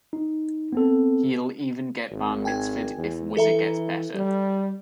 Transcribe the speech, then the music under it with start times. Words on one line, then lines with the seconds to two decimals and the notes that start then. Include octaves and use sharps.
He'll even get Bar Mitzvahed if Whizzer gets better.
0.13 D#4
0.73 B3 C4 A4
2.11 G#1
2.45 G5 G#5 G#6
2.97 E2
3.37 E3 A4 E5 A#5
4.14 G3